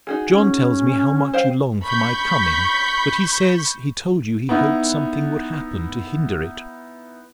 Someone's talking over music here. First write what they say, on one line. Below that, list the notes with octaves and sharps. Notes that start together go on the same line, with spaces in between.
John tells me how much you long for my coming; but he says, he told you he hoped something would happen to hinder it.
D#4 F#4 G#4
C#4
C5 F5 G5
B5 C#6 G6 B6
B3 D#4 E4